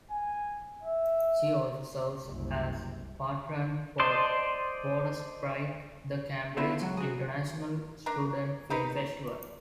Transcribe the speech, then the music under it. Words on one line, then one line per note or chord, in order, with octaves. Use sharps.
She also serves as patron for Watersprite: The Cambridge International Student Film Festival.
G#5
E5
F#1 C2
C5 D5 D#5 A5 C6
B3 E4 F4 A4
C#2 F#3 F#5
F#4 G#4
D4 A#4
D#4 A#4 B4